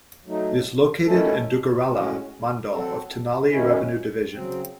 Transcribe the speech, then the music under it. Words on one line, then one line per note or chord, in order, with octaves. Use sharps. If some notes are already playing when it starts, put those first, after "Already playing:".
It is located in Duggirala mandal of Tenali revenue division.
F#3 A3 D#4
D#3 A3 C#4 E4 A4
A2 G#3 C#4 F#4
F#3 C4 F#4 A4
D#3 F#3 C#4 E4
C#3 F#3 C4